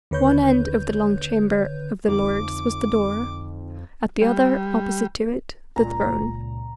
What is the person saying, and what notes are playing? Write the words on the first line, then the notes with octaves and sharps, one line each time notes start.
At one end of the long chamber of the Lords was the door; at the other, opposite to it, the throne.
D#2 D3 B4 C#5 G6
F2 D3 D#4 D6
G3
C#2 A#2 A#5